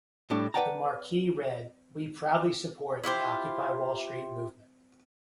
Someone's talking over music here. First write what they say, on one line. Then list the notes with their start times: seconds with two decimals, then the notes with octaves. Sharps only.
The marquee read We proudly support the Occupy Wall Street Movement.
0.30 A2 G3 A3 D4
0.54 B4 D5 F#5 G5 A5 A#5
3.04 E4 F4 G4 C5